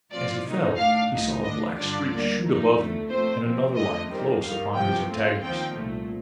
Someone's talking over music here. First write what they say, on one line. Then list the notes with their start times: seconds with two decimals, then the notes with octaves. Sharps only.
As he fell he saw a black streak shoot above him and another lion close upon his antagonist.
0.11 A2 F3 C4 F4 D5
0.43 C3 D#3 A#3 D#4
0.76 A2 A3 D4 F5
1.10 C2 A#2 A3 D#4
1.43 D#2 D3 A3 D4 D#5
1.76 G2 D3 G3 D4 F4 D5
2.09 D2 D3 G3 A#3
2.42 A#2 F3 A3 D#4
2.75 F2 D3 A3
3.09 A#2 A3 C4 C5
3.42 A#2 F3 C4
3.75 F2 D3 A3 D#5
4.09 F2 D#3 G3 C4
4.41 G2 D#3 G3 F5
4.75 C2 C3 F3 G5
5.08 D3 A3 C4 F4
5.41 D#2 D3 F3 C4 D#4 G5
5.75 C2 A#2 A3